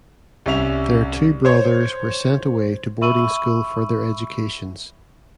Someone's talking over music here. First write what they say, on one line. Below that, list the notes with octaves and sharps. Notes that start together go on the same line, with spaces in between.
Their two brothers were sent away to boarding school for their educations.
C2 C#4 E5 F7
C5 C#5
E5 B5 C#6 E6 D#7 F#7